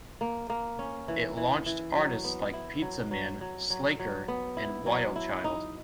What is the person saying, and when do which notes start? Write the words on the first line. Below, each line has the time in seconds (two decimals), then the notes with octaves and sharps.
It launched artists like Pizzaman, Slacker, and Wildchild.
0.21 A#3
0.50 A#3
0.79 C#4
1.08 E3
1.37 E3
1.66 E3
1.96 F#3
2.24 B3
2.53 E4
2.82 F#3
3.11 F#3
3.41 F#3
3.70 F#3
4.00 F#3
4.28 B3
4.57 E4
4.86 F#3
5.16 E4
5.44 D#4